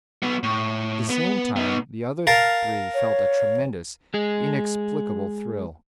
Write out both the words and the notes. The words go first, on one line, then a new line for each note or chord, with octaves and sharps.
At the same time, the other three felt a tremendous, inexplicable thrill.
F#3 B3
A2
B3
B3 D#4
A#4 F5 A5
C#5
G#3 G#4